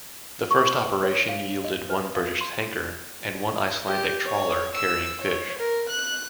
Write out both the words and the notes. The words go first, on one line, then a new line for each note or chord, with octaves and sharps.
This first operation yielded one British tanker and one Icelandic trawler carrying fish.
C#6
F#4
B4
C#5
F5
D#5
B4
F5
C6
G4
C#5
E6
C#5
A#4
F#6